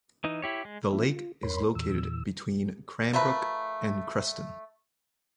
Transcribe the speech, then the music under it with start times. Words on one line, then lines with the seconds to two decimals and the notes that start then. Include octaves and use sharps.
The lake is located between Cranbrook and Creston.
0.24 E3 D#4
0.42 E4 G4 C#5
0.65 G#3
0.92 E3 A3 A#3 C#4 F4 E5
1.05 F4
1.43 E2 A#4 C#5 B5 C6
1.75 E2 A#2 E3 E6
3.13 F3 A3 A#4 B4